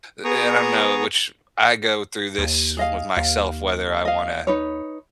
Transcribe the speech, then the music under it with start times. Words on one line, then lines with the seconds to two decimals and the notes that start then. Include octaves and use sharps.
eh, and I know which I go through this with myself whether I wanna,
0.24 B3 G#4 A#5 C#6 D#6
2.38 D#2
2.77 G#4 D#5 F5
3.17 D#2 F5
4.05 D#5 F5
4.47 D#4 B4 C#5